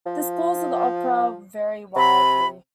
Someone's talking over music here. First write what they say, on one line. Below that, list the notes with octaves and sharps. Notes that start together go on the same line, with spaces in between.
The scores of the opera vary wildly.
F3
C3 B5